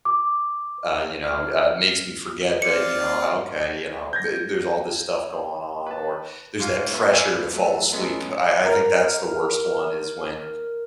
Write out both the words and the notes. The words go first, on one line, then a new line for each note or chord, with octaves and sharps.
uh, you know, uh, makes me forget that, you know, okay, you know, th there's all this stuff going on or there's that pressure to fall asleep. I I think that's the worst one is when
D6
F6
C4 F4 D5 C#7
G6 G#6 A#6
B4 A5
G#2 F4 F5
B3 B4 E5 C#6
B4 C5 D5 E5 F5 G#5
F#3 A3
F#3 G#3 A3 B3 C#4
A#4 F6